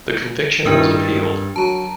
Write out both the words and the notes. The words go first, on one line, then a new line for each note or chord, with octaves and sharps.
The conviction was appealed.
G2 D#3 D4 E4 A#4 E6
F#3 F#4 A5 A#5